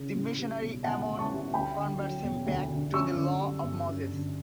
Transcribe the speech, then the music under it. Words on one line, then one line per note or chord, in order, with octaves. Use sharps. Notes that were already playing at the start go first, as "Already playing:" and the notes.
The missionary Ammon converts him back to the Law of Moses.
Already playing: C#3
A2
G3
B1
B1 F#5 A5
A2
A5 C#6
G3
D2 G5 B5
D3
F#3
E1
D2
D3
F#2 C#6 E6
D3
G3
G1
F#2
D3